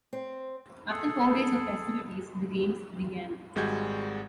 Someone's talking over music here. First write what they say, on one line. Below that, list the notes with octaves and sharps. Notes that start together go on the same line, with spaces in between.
After four days of festivities the Games began.
C4
G#4 A4
G#1 G3 G#3 F#4 G6 G#6